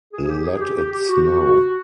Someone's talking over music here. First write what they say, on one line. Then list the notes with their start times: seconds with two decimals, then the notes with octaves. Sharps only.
Let it snow.
0.13 G#4
0.28 G4
0.44 G#4
0.56 G#4
0.60 G4
0.76 G4
0.92 G4
1.08 F#4
1.24 F#4
1.40 F#4